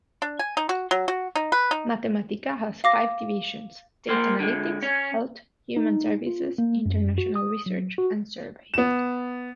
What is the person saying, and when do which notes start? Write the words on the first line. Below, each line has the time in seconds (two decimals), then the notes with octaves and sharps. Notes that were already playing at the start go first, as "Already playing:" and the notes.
Mathematica has five divisions: data analytics, health, human services, international research, and survey.
0.22 D4
0.39 G#5
0.57 D#4
0.69 F#4
0.91 F#3
1.08 F#4
1.35 D#4
1.52 B4
1.71 D#4
2.84 F5 D6 A#6
4.09 A#3 C5
4.40 D3 G#3
4.83 C#4
5.77 D#4
6.27 F4
6.58 A#3
6.86 F#2
7.18 F#4
7.36 D#6
7.66 F#3
7.98 F#4
8.74 B3 E7